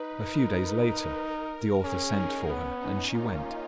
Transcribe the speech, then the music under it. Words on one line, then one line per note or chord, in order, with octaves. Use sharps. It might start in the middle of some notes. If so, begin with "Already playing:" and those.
A few days later the author sent for her, and she went.
Already playing: D#4 B4
A#4
C#4 G#4
D#4
B3 C#4
D#4
A#3 F4